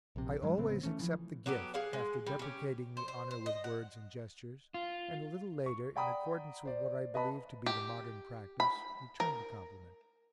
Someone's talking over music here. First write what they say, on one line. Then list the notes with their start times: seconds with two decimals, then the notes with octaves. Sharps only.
I always accept the gift, after deprecating the honour with words and gestures, and a little later, in accordance with what I believe to be the modern practice, return the compliment.
0.16 A#1 C3
0.42 G2 F#3 G#3
0.57 A1 C#3 B3 C4
0.83 E3 A3 C#4
1.00 E3 F3
1.46 F#3 B3 G4 A4
1.74 G#4 F5 F#5
1.93 G#3
2.26 G3
2.39 C#4 G4
2.97 C5
3.08 C5
3.31 C5
3.46 D#5
3.64 F#5
4.74 F4
5.66 C#6
5.96 D5 F#5 G5 A#5 B5 D#6
6.65 C5 D5
7.14 B4 D#5 A5 B5
7.66 G4
8.60 B5
9.20 A#4